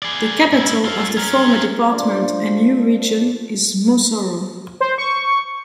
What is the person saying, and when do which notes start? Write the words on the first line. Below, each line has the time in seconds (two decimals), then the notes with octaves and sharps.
The capital of the former department and new region is Moussoro.
0.02 G#4 D5
0.52 G#2 E4
0.84 F4 A4
1.17 C#4 A#4
1.91 F3 A3 D4
4.80 C5
4.98 C#6